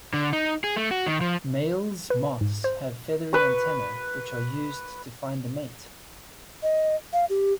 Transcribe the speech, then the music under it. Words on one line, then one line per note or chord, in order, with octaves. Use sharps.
Males moths have feathery antennae, which are used to find a mate.
D3
D#4
G#4
A3
F#4
D#3
F3
B4
G#2
C5
B4 C#6
D#5
F5
G4